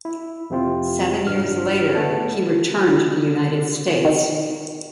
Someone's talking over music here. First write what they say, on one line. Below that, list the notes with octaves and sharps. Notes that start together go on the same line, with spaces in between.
Seven years later he returned to the United States.
E4
F2 C3 C4 F4
G#1 G2 F6
A3 B3 A5
D#3